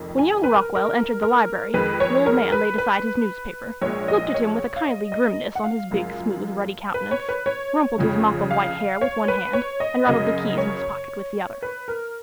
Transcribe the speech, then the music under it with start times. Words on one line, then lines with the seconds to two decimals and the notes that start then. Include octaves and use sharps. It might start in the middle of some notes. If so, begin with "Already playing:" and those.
When young Rockwall entered the library the old man laid aside his newspaper, looked at him with a kindly grimness on his big, smooth, ruddy countenance, rumpled his mop of white hair with one hand and rattled the keys in his pocket with the other.
Already playing: F1 F2 D#3
0.19 G#5
0.44 B4
0.54 A#4
0.75 A#4
1.22 A#4
1.74 F2 D#3 G#3 B4
2.00 C#5
2.26 A#4
2.52 B4
2.78 B4
3.82 A#1 A#2 G#3 C#5
4.08 D#5
4.34 C#5
4.76 F5
4.86 D#5
5.12 D#5
5.55 F#5
5.64 F5
5.90 F#1 F#2 F3 G#3
6.94 B4
7.11 C#5
7.29 B4
7.46 C#5
7.98 F1 F2 C#3 F3
8.51 F5
9.01 C#5
9.28 B4
9.53 C#5
9.80 D#5
10.05 F#2 C#3 F#3 A#3 D#5
10.58 C#5
11.62 B4
11.88 A#4